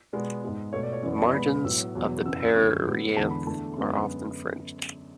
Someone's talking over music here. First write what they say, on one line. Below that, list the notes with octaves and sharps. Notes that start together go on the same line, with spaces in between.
The margins of the perianth are often fringed.
B2 G#3 B3 D5
G#2 G#3 B3
B2 A3 C#5
D5
C#5
F#2 E3 B3 D5
D5
B2 G#3 B3 B5
A2 F#3 B3 E6
E2 B2 F#3 B3
F#2 C#3 E3 B3 E6
E6
F#2 D3 A3 C#6
A2 G#3 B3
E2 D3 G#3 B3 A5
B5
E2 D3 A3 A5
F#2 D3 G#3 B3